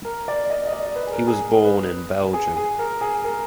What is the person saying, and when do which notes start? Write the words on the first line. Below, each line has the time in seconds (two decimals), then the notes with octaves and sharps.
He was born in Belgium.
0.05 A#4
0.28 D5
0.50 D#5
0.67 D#5
0.72 D5
0.96 B4
1.07 G#4
1.12 A#4
1.27 G#4
1.64 B4
2.33 G#4
2.56 G#4
2.79 A#4
3.01 G#4
3.25 A#4